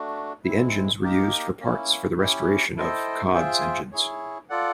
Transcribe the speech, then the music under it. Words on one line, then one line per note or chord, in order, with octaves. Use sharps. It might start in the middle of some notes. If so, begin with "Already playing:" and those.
The engines were used for parts for the restoration of "Cod"'s engines.
Already playing: A3 D4 F#4
G#3 C4 E4
A#3 D#4 G4 A#4
A#3 C#4 E4
C#4 E4 G4
E4 A4 C5 D#5 G5
F4 G#4 C5 E5 G5
E4 G#4 C#5
F4 A4 D5 F#5